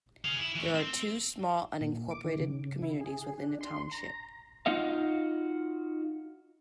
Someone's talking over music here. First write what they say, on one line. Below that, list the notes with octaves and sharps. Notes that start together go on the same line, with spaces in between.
There are two small unincorporated communities within the township.
G#4 F5
E4
E3 A3
C4
A#2
D6
D#3
C#3
E4
G#4
D4
C6
A#5
D#4 F4 F#4 D#5 F5